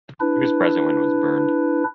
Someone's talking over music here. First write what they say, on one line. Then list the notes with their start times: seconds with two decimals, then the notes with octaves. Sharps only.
He was present when it was burned.
0.20 D4 E4 B4